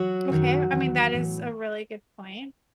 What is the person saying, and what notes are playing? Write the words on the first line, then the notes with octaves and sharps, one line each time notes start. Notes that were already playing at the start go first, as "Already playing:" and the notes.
Okay. I mean, that is a really good point.
Already playing: F#3 F#4
F#2 D#3
E2 D#3
A2 E3